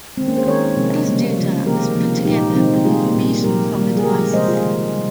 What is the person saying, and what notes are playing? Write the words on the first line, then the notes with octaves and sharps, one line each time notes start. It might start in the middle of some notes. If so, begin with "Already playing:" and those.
This data was put together with information from the devices.
D#3 G#3 C4
A#3 C#4
G#4 C5
D#3 G#3 A#4 C#5
C3 F3 G#3
C#3 G3 A#3
C#3 F3 G#3
C3 D#3 A#3 G4 A#4
C3 F3 A#3
A#2 F3 G#3 D#4 G4
C3 D#3 G#3 C4 D#4
C3 G3 A#3 F4 G#4
A#2 G3 A#3
A#2 G3 A#3 G4 A#4
D#3 G3 A#3
G#4
C#3 G#3 G4 A#4
C3 F3 G#3 C5 D#5
F4 G#4
D#3 G#3
C3 G3